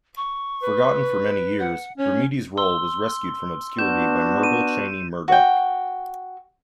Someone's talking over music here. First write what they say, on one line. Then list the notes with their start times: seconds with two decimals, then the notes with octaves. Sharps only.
Forgotten for many years, Brumidi's role was rescued from obscurity by Myrtle Cheney Murdock.
0.17 C#6
0.63 B4
1.59 F#5
1.98 C#4 C#5
2.58 C6 E6 G7
3.78 B3 D4 F#4 G6 E7
4.43 D#7
5.28 F#4 G5